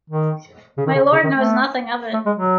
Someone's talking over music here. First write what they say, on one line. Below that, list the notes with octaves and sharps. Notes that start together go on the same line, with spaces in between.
My Lord knows nothing of it.
D#3
C#3
D#3
C#3
C#3
D#3
A3
A3
G#3
F#3